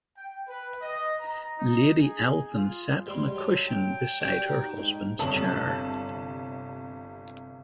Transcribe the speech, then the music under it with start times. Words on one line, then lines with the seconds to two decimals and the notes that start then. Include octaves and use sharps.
Lady Elphin sat on a cushion beside her husband's chair.
0.15 G5
0.49 B4
0.82 D#5
1.20 A#5
1.58 D#4
1.99 G#4
2.57 F4
3.06 G#2 G3 C6
3.35 F#3 A4
3.68 G5
4.20 D4 F#4 G4 G5
4.49 D#4
4.77 G#2
5.19 G1 C3 C#5 A5 E6 F#7